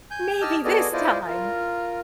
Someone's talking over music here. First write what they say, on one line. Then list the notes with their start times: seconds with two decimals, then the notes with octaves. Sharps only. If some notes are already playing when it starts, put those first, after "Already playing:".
"Maybe this time."
0.11 G#5 G6
0.41 G4 D#5 A5 E6 F6
0.65 B3 F#4 G#4 A4 D5 D#5
0.93 E4 F4 C5 D5 D#5
1.27 F4 A#4